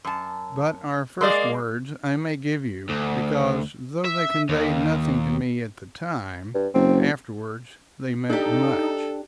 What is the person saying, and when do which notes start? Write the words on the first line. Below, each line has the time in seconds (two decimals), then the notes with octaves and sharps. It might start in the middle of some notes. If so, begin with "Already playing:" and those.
But our first words I may give you, because though they conveyed nothing to me at the time, afterwards they meant much.
0.05 F#2 A5
1.21 G#3 A#3 G#4 D5 D#5
2.89 D2
4.05 E5
4.49 D#2
6.54 G2
6.74 F#1 C4
8.30 D4 D#4 G4 A4